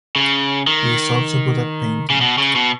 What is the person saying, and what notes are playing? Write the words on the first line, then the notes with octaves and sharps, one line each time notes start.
He is also good at painting.
C#3
D#3
C#3
B2
C#3
B2